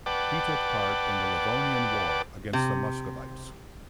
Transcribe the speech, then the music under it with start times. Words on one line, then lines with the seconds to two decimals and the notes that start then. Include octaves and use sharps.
He took part in the Livonian War against Muscovites.
0.06 B4 D5 F#5 G5 A5 D6
2.53 C3